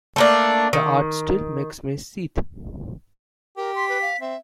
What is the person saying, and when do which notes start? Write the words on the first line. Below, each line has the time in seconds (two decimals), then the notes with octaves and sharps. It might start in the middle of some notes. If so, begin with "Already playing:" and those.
The art still makes me seethe.
0.16 A3 A#3 D4
0.73 D#3
3.57 G4 A#4
3.75 C6 B6
3.89 B4
4.01 F5
4.21 C4 E5